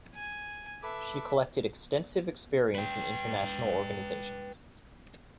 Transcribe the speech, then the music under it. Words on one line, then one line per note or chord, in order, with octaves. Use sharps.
She collected extensive experience in international organizations.
G#5
A4 B4 E5 D6
B4 G5